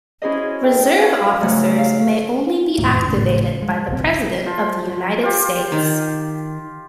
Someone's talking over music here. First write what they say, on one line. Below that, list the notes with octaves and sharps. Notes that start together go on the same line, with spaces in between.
Reserve officers may only be activated by the President of the United States.
C#4 E4 F#4 G#4 C5 D#5
A4 G5
F#4 A#4 B4 F5 F#5 G#5
G#2 C#3 F#3 A3 F#4
F5
F1 D#2 A2 A#3
G#1 A2 C#3
G#3
F#1 B1 C4
F3
F4 G4
D#3